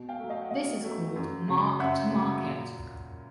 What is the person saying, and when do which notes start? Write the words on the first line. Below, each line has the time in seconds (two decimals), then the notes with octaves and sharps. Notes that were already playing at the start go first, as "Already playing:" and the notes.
This is called "mark to market".
Already playing: B2
0.09 F5 G5
0.19 F#3 A3
0.30 D#5 F5
0.42 F#5
0.51 B2 D#5 F5
0.84 F#3 A3
1.16 F#2
1.48 C#3 F#3
1.79 F#2 E5 F#5
2.11 C#3 F#3
2.44 A#2